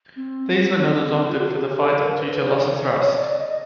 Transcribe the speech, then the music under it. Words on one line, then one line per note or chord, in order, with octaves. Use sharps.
These were not adopted for the fighter due to loss of thrust.
C4
C4
F4
F#4
G#4
G4
A4
A4
A#4
B4
C5
D5
C#5
C#5
D5
D5
D#5